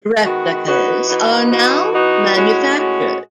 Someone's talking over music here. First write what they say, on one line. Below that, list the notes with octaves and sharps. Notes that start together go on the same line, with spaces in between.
Replicas are now manufactured.
D#3 G#3 B3 F#4
E3 B3 D#4 F#4
E3 B3 D#4 F#4
E3 B3 D#4 F#4
E3 B3 D#4 F#4
A2 G#3 C#4 F#4
A2 G#3 C#4 F#4